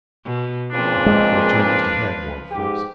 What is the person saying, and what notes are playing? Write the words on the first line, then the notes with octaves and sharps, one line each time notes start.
"Look out for a turn just ahead," warned Phipps.
B2
A#2 C#3 F3 C4 D4 B4
G#3
G#2 G4